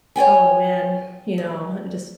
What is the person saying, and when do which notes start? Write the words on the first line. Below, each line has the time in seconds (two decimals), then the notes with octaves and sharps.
oh man, you know, just
0.16 C#5 D5 G5 G#5
1.38 D2